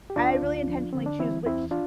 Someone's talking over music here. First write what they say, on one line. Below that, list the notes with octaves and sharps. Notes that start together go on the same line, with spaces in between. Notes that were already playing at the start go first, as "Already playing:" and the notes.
I really intentionally choose which
G4
D2 D4 F4
D2
F3
D3 C4
D4
E3 C4 E4
E2 C4 E4
D4 F4